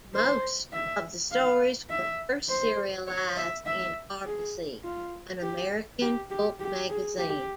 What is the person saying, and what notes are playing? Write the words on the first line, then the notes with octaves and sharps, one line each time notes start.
Most of the stories were first serialized in "Argosy", an American pulp magazine.
C5
E5
F5
E5
C5
C#5
E5
E5
G#4
F4
G4
G4
G4
G4
G#4
G4